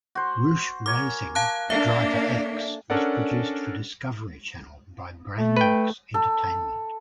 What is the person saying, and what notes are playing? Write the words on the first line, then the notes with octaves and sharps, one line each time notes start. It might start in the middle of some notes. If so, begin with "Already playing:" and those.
"Roush Racing: Driver X" was produced for Discovery Channel by Brainbox Entertainment.
F#4 C5
A#4 C#5 G#5 D6
F5 A5 F#6
A#3 D4 A4 E5
C#4 D4 A4 A#4 D5 F#5
A3
B4 G5
A4